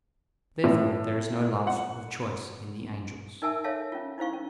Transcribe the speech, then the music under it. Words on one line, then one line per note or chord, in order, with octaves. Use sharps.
Therefore there is no love of choice in the angels.
A2
F#5
D#4 A#4 E5 G#5 A5 E6
A4 C#5 E5 F5 A5
C#4 F4
D#4 E4 C5 F5 C#6
C#4